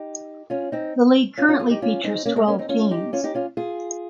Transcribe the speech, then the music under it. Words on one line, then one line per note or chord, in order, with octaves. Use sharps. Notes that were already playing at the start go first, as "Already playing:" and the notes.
The league currently features twelve teams.
Already playing: D#4 G4
C#4 F4
C4 D#4
C#4 F4
C#4 F4
F4 G#4
D#4 G4
C#4 F4
C4 D#4
A#3 C#4
G#3 C4
A#3 C#4
C4 D#4
C#4 F4
D#4 G4
C#4 F4
D#4 G4
C#4 F4
F4 G#4